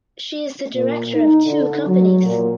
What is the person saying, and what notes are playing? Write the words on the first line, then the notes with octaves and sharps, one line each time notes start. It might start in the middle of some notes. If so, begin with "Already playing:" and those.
She is the director of two companies.
A#2
D#4
D3
F#3
A#2